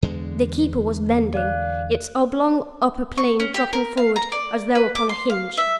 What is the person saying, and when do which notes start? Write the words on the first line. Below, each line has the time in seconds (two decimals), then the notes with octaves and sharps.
The Keeper was bending; its oblong upper plane dropping forward as though upon a hinge.
0.02 E2 D3 G#3
1.34 D5 F5 F#6
3.18 C#6
3.40 C#4
3.54 G4
3.73 A#4
3.97 F5
4.16 A#5
4.32 D5
4.75 B4
4.95 D6
5.09 C6
5.30 F5
5.57 E5